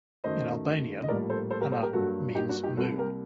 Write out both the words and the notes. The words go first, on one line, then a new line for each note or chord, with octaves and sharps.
In Albanian, "Hana" means "moon".
F#2 D#3 A3 C5 D#5
D#5
A#1 A2 G3 A#3 A#4 D5
A4 C5
A4 C5
G4 A#4
A4 C5
G4 A#4
G2 F#3 A#3 F#4 A4
D#4 G4
D4 F#4
D#4 G4
C2 C3 G3 A#3 F#4 A4
G4 A#4